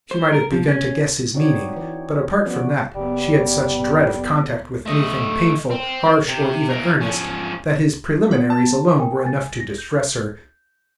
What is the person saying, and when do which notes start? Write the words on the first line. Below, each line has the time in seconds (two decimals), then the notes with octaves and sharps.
She might have begun to guess his meaning; but apart from that, she had such dread of contact with anything painful, harsh, or even earnest, that his preliminaries alone were enough to distress her.
0.11 C5
0.33 A#4
0.52 F3
0.68 C#4
1.34 C4 D#4 F#4 C#5 D5
1.77 E3
2.45 F3 B3 C#4 F#4 B4 D5
2.95 F#1 G3 B3
4.86 A3 D#5
5.71 C4
6.28 C3
6.69 E3 A#3
7.00 F3 C#4
8.31 B3
8.50 A5
8.99 A#4 G5 G#5
9.25 G#5 A6
9.60 A#6
9.78 G6